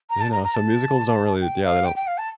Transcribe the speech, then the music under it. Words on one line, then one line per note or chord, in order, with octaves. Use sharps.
You know, so musicals don't really yeah, they don't
A#5
A5
A#5
A#5
A5
G5
F5
G5
G5
F5
A5